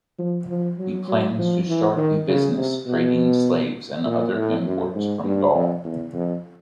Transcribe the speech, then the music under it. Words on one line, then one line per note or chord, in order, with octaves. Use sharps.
He plans to start a business trading slaves and other imports from Gaul.
F3
F3
F#3
F#3
F3
E3
D#3
C#3
C3
B2
A#2
A2
F#2
G#2
G2
F2
E2
F2